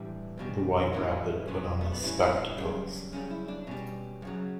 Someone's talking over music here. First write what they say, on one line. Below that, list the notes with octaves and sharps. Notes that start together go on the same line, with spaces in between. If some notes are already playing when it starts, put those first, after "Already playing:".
The White Rabbit put on his spectacles.
Already playing: A2 E3 G3 D4
E2 B2 G3
A2 E3 G3 B3
B2 F#3 C#4
A3
B3
A2 E3 G3 C#4
E4
D4
F#2 C#3 G3
F#2 C#3 G3 C#4
E4
D4
B2 G3 C#4
F#2 C#3 F#3